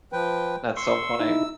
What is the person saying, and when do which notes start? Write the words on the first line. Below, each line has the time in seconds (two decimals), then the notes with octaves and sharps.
that's so funny.
0.12 F3 B4 G5
0.77 C6 C#6 E6
1.20 D#4 E4